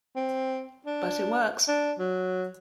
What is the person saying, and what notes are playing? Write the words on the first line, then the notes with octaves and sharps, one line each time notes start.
But it works.
C4
D4
D4
F#3